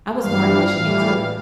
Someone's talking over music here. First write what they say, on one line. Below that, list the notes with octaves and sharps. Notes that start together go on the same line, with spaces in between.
I was born in Michigan too.
G2 E3 G3 F5
A2 E3 G3